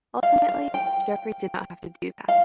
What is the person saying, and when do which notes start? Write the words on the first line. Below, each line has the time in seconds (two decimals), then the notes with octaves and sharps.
Ultimately, Jeffery did not have to do that.
0.23 F5
0.49 F5
0.74 G5
2.28 F5